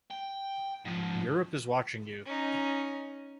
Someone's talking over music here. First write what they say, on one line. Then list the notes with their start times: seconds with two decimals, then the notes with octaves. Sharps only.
Europe is watching you.
0.11 G5
0.85 G#2 F3
2.26 C#4 D#4